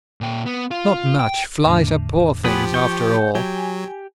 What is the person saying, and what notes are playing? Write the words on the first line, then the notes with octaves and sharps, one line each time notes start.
"Not much! flies are poor things, after all!"
A#2 G5
B3
F4
G5
E2 A2 D3
F3 B3 G4 G#4 B4
G5 C#6
F#3 G4 G#5